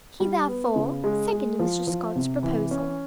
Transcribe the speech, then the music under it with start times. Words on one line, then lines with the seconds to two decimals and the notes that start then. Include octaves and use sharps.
He therefore seconded Mr. Scott's proposal.'
0.20 G3
0.48 B3
0.76 C#3
1.04 G#3
1.32 G#3
1.59 F3
1.87 F3
2.16 C3
2.43 E3
2.71 C#4